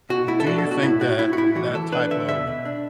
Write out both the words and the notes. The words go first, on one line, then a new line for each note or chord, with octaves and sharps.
do you think that that type of
B2 F#4
A3 E4
A4
D4 F#4
A4
B2
F#4
A2 E4
A2 F#4
A2 E4
F#4
A2 E4
E3 F#4
E3 A4
D4 B4
D3 E5
B2 E5
B2
D4